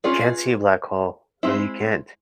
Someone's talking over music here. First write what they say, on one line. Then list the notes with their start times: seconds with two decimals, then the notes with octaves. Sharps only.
Can't see a black hole. No, you can't.
0.04 C#4 F4 G#4 B4 D5
1.43 G#3 C4 E4